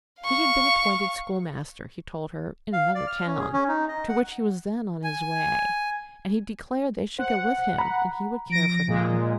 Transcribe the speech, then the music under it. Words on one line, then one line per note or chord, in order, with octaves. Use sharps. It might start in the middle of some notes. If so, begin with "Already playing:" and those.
He had been appointed schoolmaster, he told her, in another town, to which he was then on his way, and he declared they should go with him and he would care for them.
F5 C#6
F5
D5
F6
C#4
G#4
C#4
D#4
D#5
F#5
G#5
C5 F#5
A#5 B5
F3 A#6 D7
A#2 G#3